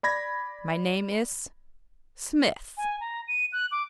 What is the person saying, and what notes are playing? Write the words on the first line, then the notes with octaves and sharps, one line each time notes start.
"My name is--Smith."
D5 B5 G#6 A#6
G#5
A#5
D#7
F#6
D6